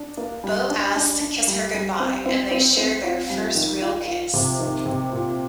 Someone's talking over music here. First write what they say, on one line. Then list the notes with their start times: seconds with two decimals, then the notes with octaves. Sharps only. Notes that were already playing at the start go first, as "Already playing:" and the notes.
Beau asks to kiss her goodbye and they share their first real kiss.
Already playing: D4
0.17 A#3
0.44 G3
0.70 D4
0.96 D4
1.21 D4
1.48 G3
1.74 G3
2.00 C4
2.26 C4
2.51 C4
2.77 C4
3.03 F4
3.30 G3
3.55 D#3
3.82 F4
4.07 F4
4.34 C3
4.60 D#3
4.86 C3
5.12 A#2